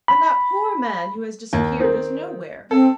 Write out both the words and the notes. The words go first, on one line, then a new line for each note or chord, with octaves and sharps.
"And that poor man who has disappeared is nowhere."
B5
D#2
D#3 C4
C4 A4